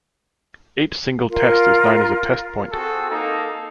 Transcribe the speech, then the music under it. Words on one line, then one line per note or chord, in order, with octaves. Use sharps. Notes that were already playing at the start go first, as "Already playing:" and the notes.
Each single test is known as a Test Point.
F4 A#4
C4 F#4 G#4 A4
A#3 D#4 A4